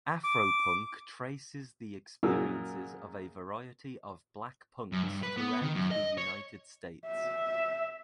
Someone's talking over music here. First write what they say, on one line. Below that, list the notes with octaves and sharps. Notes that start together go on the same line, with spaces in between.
"AfroPunk" traces the experiences of a variety of black punks throughout the United States.
D6
F#2 A#2 F#4 G#4 A#4 E6
F#2
G2
B4
B3
D#3
F#2
D#5
C#5
E5